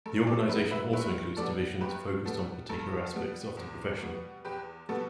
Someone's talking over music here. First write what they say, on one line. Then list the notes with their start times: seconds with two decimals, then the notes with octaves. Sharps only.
The organization also includes divisions focused on particular aspects of the profession.
0.06 G2 A4
0.27 A4 D5
0.49 G3 B3 B4 E5
0.71 B4 E5
0.93 G2 B4 E5
1.37 G3 B3 A4 D5
1.81 G2 G4 B4
2.25 G3 B3 A4
2.69 G2 A4
3.14 G3 B3
3.57 E2
4.01 B2 G3 B3
4.45 E2 G4 B4
4.89 B2 G3 B3 A4